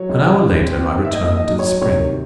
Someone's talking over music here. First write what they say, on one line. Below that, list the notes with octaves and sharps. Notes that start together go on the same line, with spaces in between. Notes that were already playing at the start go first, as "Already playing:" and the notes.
An hour later I returned to the spring.
Already playing: F#3 C#5
C#2
C#3
G#3
C4
C4
D#3
E5
D#2 D#5
D#2
D#5
F#3
C#5
F#3
C3 C#5
D#3